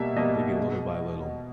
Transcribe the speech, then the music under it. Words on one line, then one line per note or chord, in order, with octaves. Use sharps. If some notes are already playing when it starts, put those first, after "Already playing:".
M take it little by little.
Already playing: B2 G3 A#3 E5
B2 G3 A#3 D#5
B2 G#3